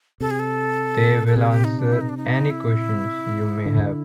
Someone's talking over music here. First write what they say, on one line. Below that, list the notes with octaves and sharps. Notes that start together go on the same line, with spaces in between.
They will answer any questions you may have.
C3 A4
G#4
A4
A4
C3 G#4
G4
D#4
D4
E4
D#4
D4
D#4
E4
D3